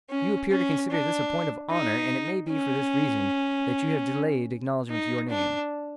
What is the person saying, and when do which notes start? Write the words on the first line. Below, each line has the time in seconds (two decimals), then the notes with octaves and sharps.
You appear to consider this a point of honor, and it may be for this reason, that you have delayed acknowledging your name.
0.10 C#4
0.51 C#4
0.91 D4
1.70 D#4
2.50 C#4
4.90 D#4
5.30 D4